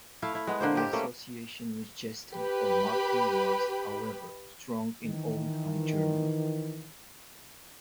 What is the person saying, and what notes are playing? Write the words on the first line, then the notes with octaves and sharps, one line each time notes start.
The association with jesting or mocking was, however, strong in Old High German.
A3 E4 F5
E4
G#3 B3
D3 A#3 C5
G#3 G4
A3 A#3 C#4
G4 B4 B5
D#3 E3